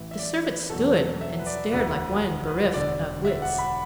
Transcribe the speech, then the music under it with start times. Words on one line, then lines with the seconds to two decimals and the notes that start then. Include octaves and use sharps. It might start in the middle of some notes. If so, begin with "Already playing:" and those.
The servant stood and stared like one bereft of wits.
Already playing: A1 A2 E3
0.11 E5
0.19 D5
0.44 B4
0.70 E2 B2 F#3 A4
1.21 E5
1.39 B4
1.47 D5
1.72 E1 D2 D3 B4
2.48 B4
2.74 E1 E2 D3 D5
3.25 E5
3.42 F#5
3.58 B5